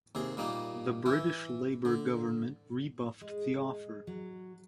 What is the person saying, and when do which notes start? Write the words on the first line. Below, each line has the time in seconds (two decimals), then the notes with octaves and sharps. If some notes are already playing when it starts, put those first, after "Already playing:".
The British Labour government rebuffed the offer.
0.15 D#2 C3 G#4
0.37 A#2 G3 A#3 D#4
1.06 E3 E4
1.85 D3
3.21 G#3
4.07 F#3